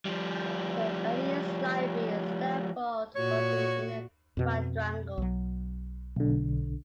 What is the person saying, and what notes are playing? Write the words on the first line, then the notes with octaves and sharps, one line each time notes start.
The earliest library at Stanford was in the inner quadrangle.
F3 G3
A#2 F#4 C#5
F2 B2
B1 F#3
B1 D3